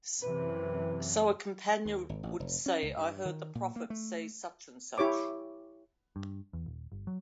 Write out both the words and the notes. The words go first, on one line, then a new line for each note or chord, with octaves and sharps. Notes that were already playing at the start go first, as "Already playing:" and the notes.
So a companion would say, I heard the Prophet say such and such.
F#2 C3 E3 B4
D#2
G#1
A1
F1
C#4
C#2
G2
D#3
A#2
A#3
A3
E4 G4 C#5 D6
G2
E2
D#1
G1
F#3